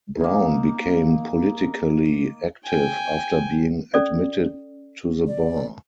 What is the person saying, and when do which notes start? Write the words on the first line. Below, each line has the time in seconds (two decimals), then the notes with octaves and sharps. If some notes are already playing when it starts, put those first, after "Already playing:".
Brown became politically active after being admitted to the bar.
0.20 A#3 D#4
2.65 G5 G#5
3.94 C#4 A4 D5
5.27 D5